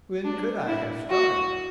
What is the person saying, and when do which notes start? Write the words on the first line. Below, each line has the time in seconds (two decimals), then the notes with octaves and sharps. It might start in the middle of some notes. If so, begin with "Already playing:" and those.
When COULD I have started!
0.25 D4
0.67 E4
1.10 F#4